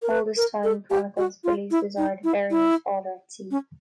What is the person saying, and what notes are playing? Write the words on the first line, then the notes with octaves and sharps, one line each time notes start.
"All This Time" chronicles Billy's desire to bury his father at sea.
A#4
B4
A#4
A4
G4
F#4
F4
E4
D#4
E4
E4
C#4